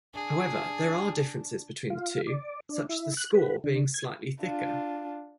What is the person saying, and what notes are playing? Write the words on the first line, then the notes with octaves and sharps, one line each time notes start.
However, there are differences between the two, such as the Skor being slightly thicker.
D4 G#4
F4
D5
D4
E4
F#6
B4
D3
G#6
D4 F4